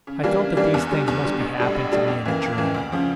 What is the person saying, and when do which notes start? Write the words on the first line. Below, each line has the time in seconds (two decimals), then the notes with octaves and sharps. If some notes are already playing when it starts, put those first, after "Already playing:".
I felt that these things must be happening to me in a dream.
0.07 C#3
0.23 E3 G3 A#3 D4
0.41 C#3
0.57 E3 G3 A#3 D4
0.74 E2
0.91 D3 G3
1.08 E2
1.25 D3 G3
1.41 A1
1.57 A2 G3 D4
1.75 A1
1.91 A2 G3 D4
2.08 F2
2.25 C#3 E3 A#3
2.41 F2
2.58 C#3 E3 A#3
2.74 D2
2.92 C#3 F3